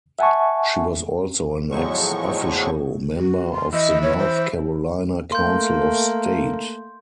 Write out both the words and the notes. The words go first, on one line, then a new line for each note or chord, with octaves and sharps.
She was also an ex offico member of the North Carolina Council of State.
E5 F#5 G#5 A5 C#6
E2 A2 F3 F#3 G#3 C#6
F#4
C6
E3 D#5
C#5
C5
A3 A#3 C6 G6